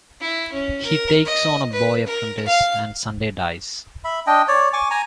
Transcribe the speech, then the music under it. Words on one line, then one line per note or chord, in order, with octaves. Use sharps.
He takes on a boy apprentice and Sunday dies.
E4
C#4
A#4
D#5
B4
A#4
F5
E5 B5
D4 D#5 G5
C#5 D5
G#5 C#6 D6
G#5 A#5